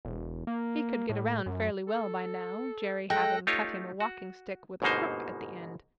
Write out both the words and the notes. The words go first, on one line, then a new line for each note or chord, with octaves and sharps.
He could get around fairly well by now, Jerry having cut him a walking-stick, with a crook at the end.
E1
A#3
A2
F#2
A4
G#3 A4 G5 F#6 A#6
A3 D#4 F4 G4 C#5
F#4
G1 G#2 B2 A#3 D#4 C5